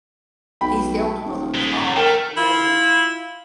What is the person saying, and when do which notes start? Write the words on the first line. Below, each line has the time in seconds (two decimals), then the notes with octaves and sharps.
He is the older brother of Arve Walde.
0.61 B1 G5 B5
1.24 D#1
1.55 G#3 A3
1.97 A3 A#4 G5
2.37 E4 F4